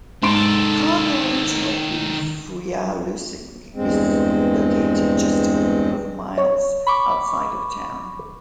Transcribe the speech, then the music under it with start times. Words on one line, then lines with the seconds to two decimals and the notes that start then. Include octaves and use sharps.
Cargill regional beef Wyalusing is located just a couple miles outside of town.
0.23 G#2 D#3 A4 C6 D7
3.75 E2 G2 G#3 C4
6.38 C#5
6.87 B5 C#6 D6